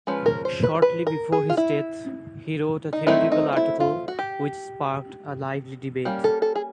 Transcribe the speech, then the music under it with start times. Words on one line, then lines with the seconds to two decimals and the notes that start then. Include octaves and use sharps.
Shortly before his death, he wrote a theoretical article which sparked a lively debate.
0.07 F3 G#3 C#4 B4
0.26 A#4
0.45 C5
0.63 B4
0.75 C5
0.82 B4
1.07 A#4
1.32 G#4
1.50 F4
1.57 E4
2.93 D#4
3.07 F#3 A3 C4 D#4 E4
3.32 D#4
3.52 F4
3.56 E4
3.80 F4
4.08 F#4
4.19 G4
6.05 G3 A#3 C#4
6.24 A4
6.42 A4
6.55 G#4